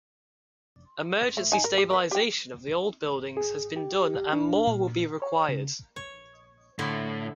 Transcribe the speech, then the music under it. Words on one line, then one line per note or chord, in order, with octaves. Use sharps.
Emergency stabilization of the old buildings has been done and more will be required.
A3
D#4 G#5
A#4
G4
A#4 B4
G4 G5
G#4
G4
D4
A#2
C#5
C#3
C#5
A2 D3 E4 C6